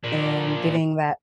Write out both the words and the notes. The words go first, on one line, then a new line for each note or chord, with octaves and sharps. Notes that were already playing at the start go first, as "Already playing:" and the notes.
and, giving that
A#2 D4